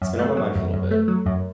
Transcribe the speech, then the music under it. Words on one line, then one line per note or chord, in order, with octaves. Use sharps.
it's been on my mind for little bit
F#2
A3
F#3
F#2
F#2
A3
F#3
F#2